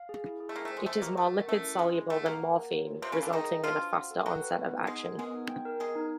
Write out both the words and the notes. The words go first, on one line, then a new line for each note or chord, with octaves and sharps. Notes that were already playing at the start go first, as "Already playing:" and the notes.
It is more lipid-soluble than morphine, resulting in a faster onset of action.
Already playing: F5
G#4
E4
G#4
A3
A#3 G5
A3
C5
G#3
A3 D#5
A#3 G4
A3 F#5
A#4
A3 C#4
E4
G#3 E4
G#4
A3 F#5
A#3 A#4
F#5
A#4
C#5
F4
C3 C4 F5
C#3 C#4
A#4
D3 D4
D#3 D#4 G#4
B4
F3 D4 F4
F#4
F#5
A4
F#3 F#4 G5
B4
B3
D#4
G#3 G#4 F#5
A#4
G#3 B3 G#4
D#4
G5
A#4
G#3 B3 G#4
D#4